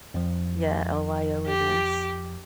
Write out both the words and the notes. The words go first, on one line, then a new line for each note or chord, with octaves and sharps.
yeah, L-Y-O-N-S.
F2 F3
G4